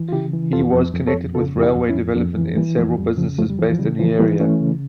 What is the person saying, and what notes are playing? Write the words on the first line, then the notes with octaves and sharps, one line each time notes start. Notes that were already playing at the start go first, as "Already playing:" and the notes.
He was connected with railway development and several businesses based in the area.
Already playing: E3
F4
C#3 E4 G4
E3
F2 F4 A4
F2
F2
A4 C#5
F2
C#3 F4 A4
F2
E4 G4
F2
C#4 E4
F2
F2 A#3 D4
E3
E3 G3 A#3
F2 F3 A3
F2 G3
C#3 F3
F2 F3 A3
G3
E3 F3
F3
C#3 G3
E3 F3 A3
E3 G3 A#3
E3 A3 C#4
C#3